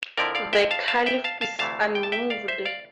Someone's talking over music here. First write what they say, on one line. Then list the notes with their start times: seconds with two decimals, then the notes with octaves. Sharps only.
The Caliph is unmoved.
0.17 F2 D3 F3 C4 E4 A#4 D5
0.35 D5 F5
0.53 E5 G5
0.71 F5 A5
0.88 F5 A5
1.06 E5 G5
1.24 F5 A5
1.41 F5 A5
1.59 D2 C3 E3 A3 E4 F5 A5
1.95 G5
2.03 A5
2.12 E5 G5
2.30 D5 F5
2.48 C5 E5
2.65 D5 F5